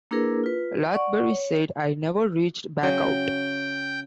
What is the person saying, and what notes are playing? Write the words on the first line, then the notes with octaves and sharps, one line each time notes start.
Lathbury said, I never reached back out.
A#3 D4 E4 G#4 A#4 B4
F4 B4
D5 F#5 C#6
C#5
C#3 F#3 G5